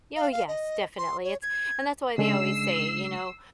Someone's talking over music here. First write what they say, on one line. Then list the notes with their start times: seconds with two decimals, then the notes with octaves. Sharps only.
Oh, yes. Definitely. It's and that's why they always say, you know,
0.16 F5
0.32 F5
0.48 D#5
0.98 C6
1.24 C#5
1.42 G#6
2.18 C#3 G#3 D4 E6 C7